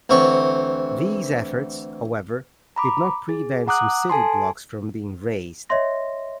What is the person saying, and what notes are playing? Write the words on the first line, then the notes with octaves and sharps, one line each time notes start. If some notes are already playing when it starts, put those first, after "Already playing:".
These efforts, however, did not prevent some city blocks from being razed.
D2 E3 C4 C#5
A#5 B5 D6
G#4
F#5 A#5 D6 D#6 F#6
A4 G#5 A5 C6
C#5 D#5 E5 C6 A#6